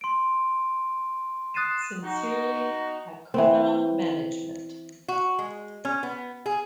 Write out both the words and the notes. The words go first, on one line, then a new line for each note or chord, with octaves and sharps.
Sincerely, Accoona Management.
C6 D7
D#6 F#6 A6 C7 D#7 E7
D#4 F#4
E3 B3 C4
F#4
G#3
C#4
B3
G#4